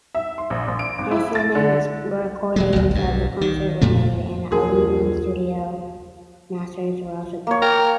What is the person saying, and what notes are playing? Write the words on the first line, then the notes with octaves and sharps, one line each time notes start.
Acetate recordings of the concert were made, and aluminum studio masters were also cut.
E5
C6
A#1
A#1
D7
G#1
E4
A6
D3
D#1 F#3 G#3
G#1 D2 B2 F#3
B1 G2
D#3
F2 A#2 A3
E2 F3 A#3 D4 D#4 F#4 G#4 A#4
A#3 C#5
A#4 G5